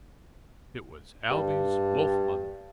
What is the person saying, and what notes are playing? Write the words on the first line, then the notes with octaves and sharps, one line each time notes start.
It was Ailbe's wolf-mother.
G2